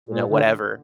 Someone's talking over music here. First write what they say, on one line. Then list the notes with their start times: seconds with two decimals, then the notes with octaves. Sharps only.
you know, whatever.
0.09 A#2
0.30 D3